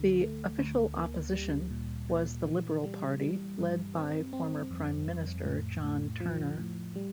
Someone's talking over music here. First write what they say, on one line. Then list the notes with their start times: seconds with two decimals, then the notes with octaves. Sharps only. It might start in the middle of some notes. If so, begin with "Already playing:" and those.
The Official Opposition was the Liberal Party, led by former prime minister John Turner.
Already playing: D2 D3
0.21 A3
0.58 D2
0.95 A#3
1.33 G3
1.71 A#2
2.09 A#2
2.46 E3
2.84 G3
3.20 G3
3.59 G2
3.96 C4
4.33 C4
4.71 F2
5.08 F2
5.45 A2
5.84 A2
6.21 F3
6.58 A2
6.95 G3